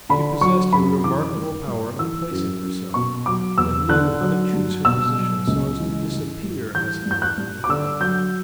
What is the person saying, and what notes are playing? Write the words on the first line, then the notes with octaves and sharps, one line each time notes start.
She possessed a remarkable power of placing herself, and knew how to choose her position so as to disappear, as it were, in the water.
D3 B5
F#3 C#6
F#2 B5
E3 D6
G2
G2
E3 E6
F#2
F#2
B2 C#6
F#3 D6
E2 E6
D3 F#6
F#3
G2
B2 E6
F#3
C#2
E3
G2
G2
E3 G6
G2
G6
F#6
G2
D6
D3 E6
F#3 G6